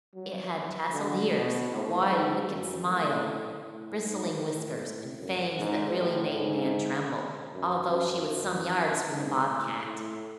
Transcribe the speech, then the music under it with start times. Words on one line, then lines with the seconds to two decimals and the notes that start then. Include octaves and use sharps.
It had tasseled ears, a wide, wicked "smile," bristling whiskers, and fangs that really made Nan tremble, although she was some yards from the bobcat.
0.15 F#3
0.93 D3
1.32 B2
1.71 A2
2.10 G#2
2.48 F#2
2.87 A2
3.65 A2
4.04 G#2
4.42 A2
4.82 A2
5.20 F#2
5.59 G#2
5.98 A2
6.37 G#2
7.54 F#2
7.92 F#2
8.31 F#2
9.09 G#2
9.48 A2
9.86 A2